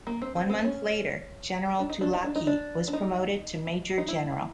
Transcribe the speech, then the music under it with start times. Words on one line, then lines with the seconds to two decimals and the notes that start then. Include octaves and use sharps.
One month later, General Dulacki was promoted to major general.
0.07 A#3
0.22 C4
0.36 C4
0.50 C4
0.64 C#4
1.79 D4
1.90 D#4
2.01 D4
2.13 D#4
2.24 D4
2.35 D#4
2.47 D4
2.88 D4
2.93 D#4
3.98 D#4
4.08 E4